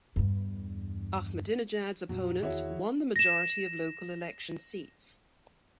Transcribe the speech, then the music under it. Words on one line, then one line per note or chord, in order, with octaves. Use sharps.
Ahmadinejad's opponents won the majority of local election seats.
E2 G2
F2 A#2 F#3
E2 D#3 E4 F#4 G#4 C#5 E5
A#6 E7